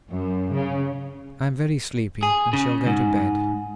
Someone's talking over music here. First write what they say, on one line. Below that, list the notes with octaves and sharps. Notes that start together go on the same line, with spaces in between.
I am very sleepy and shall go to bed....
F#2
C#3
G#4
C#3
G#2